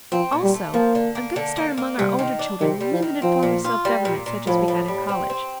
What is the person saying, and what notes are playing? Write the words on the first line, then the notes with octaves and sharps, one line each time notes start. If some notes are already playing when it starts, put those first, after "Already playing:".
Also I am going to start among our older children a limited form of self-government such as we had in college.
F3 C4
A#2
G3
A3
F3 A#3
D3
A#3
D3
A#3
A#3
C3 G3
D#3
D4
C3 D#3
G3
F3
D#3
F3 C4
A#2
F4
G3
A#2
A#2
A2 F3
A2
G3
C4
C4